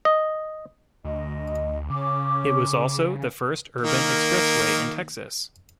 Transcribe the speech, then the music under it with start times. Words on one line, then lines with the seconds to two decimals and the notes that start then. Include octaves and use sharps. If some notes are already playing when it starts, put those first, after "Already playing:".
It was also the first urban expressway in Texas.
0.05 D#5
1.04 D2 D#5
1.90 C#3 C#4 D6
3.81 D#3 A#3